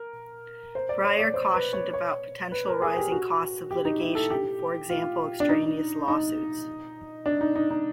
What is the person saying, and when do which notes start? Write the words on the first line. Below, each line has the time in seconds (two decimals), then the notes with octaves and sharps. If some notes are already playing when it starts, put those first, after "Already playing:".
Breyer cautioned about potential rising costs of litigation, for example, extraneous lawsuits.
Already playing: A#4
0.75 C5
0.89 D5
1.04 C#5
1.19 D5
1.34 C5
1.54 B4
1.73 C#5
1.93 C#5
2.52 B4
2.68 A#4
2.82 G#4
2.97 G4
3.12 F#4
3.71 G4
3.85 D#4
4.00 E4
4.15 A4
4.30 G4
4.90 F4
5.40 D4
5.49 D#4
6.08 D#4
7.26 D4
7.41 D#4
7.56 D#4
7.71 D#4